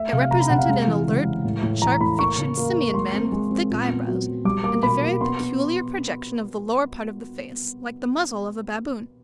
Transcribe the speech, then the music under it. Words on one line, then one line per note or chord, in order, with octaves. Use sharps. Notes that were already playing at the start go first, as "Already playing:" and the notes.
It represented an alert, sharp-featured simian man, with thick eyebrows and a very peculiar projection of the lower part of the face, like the muzzle of a baboon.
Already playing: A3 E5
C3 F5
C3 A#5
B5
C3 F#5
F5
G#3
E3
C#3
G#3
A2
A2
E3 A#5
A2 B5
A#3 C#6
C#3
A#3
A#3
G#3 C6
C4
G#3
C4
A#2
B3
F#3
F#3
G3 D6
A#3 D6
B2 B5
A#3
B3 C6
B3